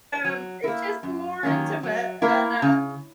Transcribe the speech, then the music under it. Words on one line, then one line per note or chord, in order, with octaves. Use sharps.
um, it's just more intimate and, uh,
F#3
A#3 E4
F#2
D#3 F#3 A#3 C#4
F#3
A#3 E4 A#4
C#3